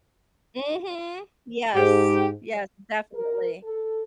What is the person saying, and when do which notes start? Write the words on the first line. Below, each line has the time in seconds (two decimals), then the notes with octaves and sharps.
Mhm. Yes. Yes, definitely.
1.75 G#2 G4
3.15 A#4
3.64 A4